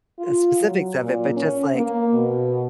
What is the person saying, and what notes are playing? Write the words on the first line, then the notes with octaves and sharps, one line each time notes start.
uh, specifics of it, but just like
F4
F#3
A#2
C#4
A#3
B2